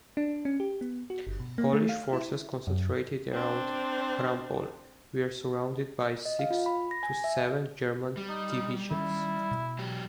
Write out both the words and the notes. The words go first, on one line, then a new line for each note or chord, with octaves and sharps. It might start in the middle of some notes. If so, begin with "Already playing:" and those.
Polish forces, concentrated around Frampol, were surrounded by six to seven German divisions.
D4
C#4
G4
B3
F#4
G1
B2
A#3
A3
F5
E4
F#2
C4 D4
D#5
F5
F4
B5
A#6
G#5
E5
G3
D#4
D#3 C#4 E4
B2
F#3 G4